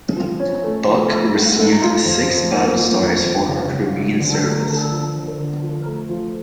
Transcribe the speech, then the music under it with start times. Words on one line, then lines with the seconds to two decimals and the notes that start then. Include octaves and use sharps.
"Buck" received six battle stars for her Korean service.
0.16 F3
0.40 C#4
0.64 A3
0.87 F3
1.11 A3
1.35 A3
1.59 A3
1.82 F4
2.05 F2
2.30 F2
2.54 A#3
2.77 F3
3.01 F2
3.25 F2
3.48 C#3
3.72 C#3
3.96 F3
4.19 D3
4.43 A3
4.67 D3
4.91 F3
5.14 D3
5.38 D3
5.62 F3
5.86 A3
6.09 F3